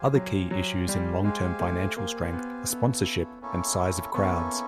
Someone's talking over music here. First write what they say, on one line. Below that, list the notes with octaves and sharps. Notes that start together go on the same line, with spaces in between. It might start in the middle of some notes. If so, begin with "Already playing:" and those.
Other key issues in long-term financial strength are sponsorship and size of crowds.
Already playing: G4 C5 F5 G#5
F#3
F#3 G4 C5 F5 G#5
G3
G#3 G4 C5 F5 G#5
A3
A#3 G4 C5 F5 G#5
B3
A#3 B3 C#4 E4 A4 C#5
A#3 C#4 E4 A4 C#5
A#3 B3 C#4 E4 A4 C#5